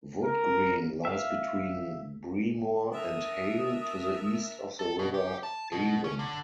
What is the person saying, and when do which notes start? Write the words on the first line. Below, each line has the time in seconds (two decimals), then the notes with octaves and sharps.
Woodgreen lies between Breamore and Hale to the east of the River Avon.
0.25 A#4
1.05 E5 F5
2.94 D4 A#4 E5 D#6
4.79 A4
4.99 B2
5.14 G4
5.43 A5
5.72 B2
6.04 C#4
6.19 D3